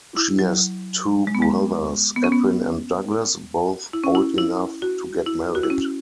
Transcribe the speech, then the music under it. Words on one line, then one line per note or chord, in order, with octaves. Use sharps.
She has two brothers, Edwin and Douglas, both old enough to get married.
E4
F#3
G#3
B3
G#3
B3
C#4
B3
E4
C#4
E4
E4
F#4
E4
F#4
E4
C#4